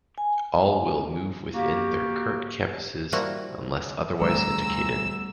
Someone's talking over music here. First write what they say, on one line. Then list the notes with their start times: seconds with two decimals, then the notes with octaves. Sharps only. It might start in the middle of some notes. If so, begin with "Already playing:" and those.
All will move within their current campuses unless otherwise indicated.
0.18 G#5
1.54 A#3 F#4 G4
3.12 F3 G3 A#3 E4 F#4
4.22 E1 D2 G3 A3 A#5 E6